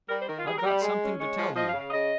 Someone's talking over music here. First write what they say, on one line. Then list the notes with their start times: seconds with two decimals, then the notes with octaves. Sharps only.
"I've got something to tell you."
0.08 G3 A#4
0.18 C5
0.27 D#3 A#4
0.36 F4
0.45 G3 G#4
0.57 A#4
0.63 G3
0.82 G#3
1.01 C#4
1.18 G#3 C#5
1.36 F3
1.54 F3 D#5
1.66 F5
1.72 C#3
1.79 F5
1.91 C#3 D#5